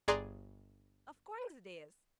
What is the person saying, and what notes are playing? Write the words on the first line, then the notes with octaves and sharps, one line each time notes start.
'Of course it is.
G1 G#4 D5 A#5 C6 F#6